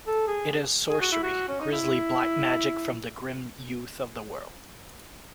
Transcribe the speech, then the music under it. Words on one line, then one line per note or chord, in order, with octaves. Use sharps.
It is sorcery - grisly black magic from the grim youth of the world.
A4
G#4
G#4
F#4
E4
F#4
C#4
D#4
E4